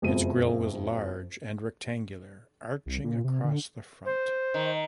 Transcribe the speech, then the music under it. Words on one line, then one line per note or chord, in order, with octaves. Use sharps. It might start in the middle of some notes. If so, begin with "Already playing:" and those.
Its grille was large and rectangular arching across the front.
F#1 F2 B2 G#3 D#7
C2
A#2
C3
D3
C5
D#3